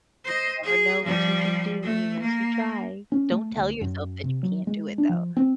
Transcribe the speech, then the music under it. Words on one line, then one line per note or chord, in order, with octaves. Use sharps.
You never know what you can do unless you try. Don't tell yourself that you can't do it, though,
C5 D#5
G#4
F3 G3
A3
A#3
C#4
A3
D2
F#2
C3
F#3
G#3
D4
F3
C4